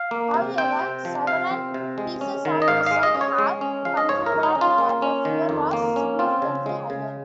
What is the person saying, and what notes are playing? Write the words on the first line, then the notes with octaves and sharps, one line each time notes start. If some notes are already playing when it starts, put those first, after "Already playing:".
However, several pieces of research have concluded that the figure was significantly higher.
Already playing: F5
A#3
C3
C4 G5
C3
F3
C3 F5
C4
C3
G#3
C#4
D#3
D#5
G#2 F5
G#3 F5
D#5
C#4
C#5
G#3
C#4
F3 F5
D#5
G#2 C#5
A#4
G#3
D#4
C#4
F4
A#3
C#4
D#3
F2
A#3
C#4
C4 F4
C#3
G#3
C#3